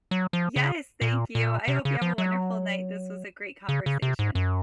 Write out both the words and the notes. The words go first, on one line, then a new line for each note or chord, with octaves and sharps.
Yes, thank you. I hope you have a wonderful night. This was a great conversation.
F#3
F3
C#3
A#2
A#2
C3
C#3
F3
F#3
C#3
C#3
C3
G#2
F#2